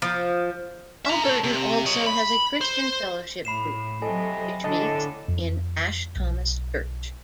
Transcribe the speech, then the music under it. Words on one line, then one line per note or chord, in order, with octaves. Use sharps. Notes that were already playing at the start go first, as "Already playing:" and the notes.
Halberton also has a Christian Fellowship Group, which meets in Ash Thomas Church.
F3
E5 A#5
A4 C#5
C3
C#5 D#5
B5
C5
A2 B5 C7 E7
F2 C3 F#3 A4 D#5 G#5
A2 D3 A4 D#5 A5
F2
B1